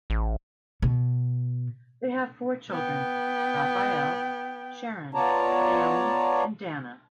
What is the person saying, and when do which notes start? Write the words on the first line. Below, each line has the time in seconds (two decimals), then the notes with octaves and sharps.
They have four children: Rafael, Sharon, Naomi and Danna.
0.10 A1
0.82 B2
2.71 B3 G5
5.14 B3 F4 C#5 D5 A5 A#5